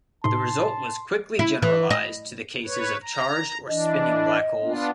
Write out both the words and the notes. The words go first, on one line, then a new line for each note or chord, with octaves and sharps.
The result was quickly generalized to the cases of charged or spinning black holes.
A2 C3 D#4 A5 C6
E4
E3
D#5
B4 C#5
A#5
E3 D4 D#5
B3 D4 F4